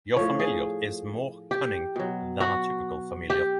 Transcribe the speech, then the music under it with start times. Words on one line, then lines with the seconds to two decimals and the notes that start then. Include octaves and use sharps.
Your familiar is more cunning than a typical familiar.
0.16 A2 F3 C#5
0.39 G#4
1.51 G4
1.96 B2 F#3
2.40 F#4
3.30 G4